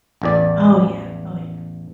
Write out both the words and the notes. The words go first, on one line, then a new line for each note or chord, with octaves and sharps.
Oh, yeah, oh, yeah.
A1 E2 D5